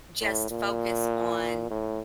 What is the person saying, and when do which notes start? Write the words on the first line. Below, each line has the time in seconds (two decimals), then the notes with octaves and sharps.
just focus on
0.22 A2
0.51 A#2
1.71 A2